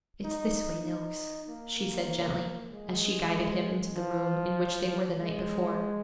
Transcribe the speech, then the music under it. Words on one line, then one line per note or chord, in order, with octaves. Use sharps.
'It's this way, Noakes,' she said gently, as she guided him into the room in which they were the night before.
D#4
D#4
A#3
A#3
G#3
F3
G#3